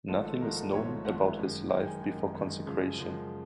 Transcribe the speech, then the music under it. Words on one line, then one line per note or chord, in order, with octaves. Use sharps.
Nothing is known about his life before consecration.
G#1 G#2 F3 A3 A4
A4
G#1 G#2 F3 A3 A#4
A4
G#1 G#2 F3 A3 C#5
G#1 G#2 F3 A3 F#5
F#2 D#3 G#3
F#2 D#3 G#3 G5
G#5
F#2 D#3 G#3 G#5
F#2 D#3 G#3
F#2 C#3 F3 G#3
F#2 C#3 F3 G#3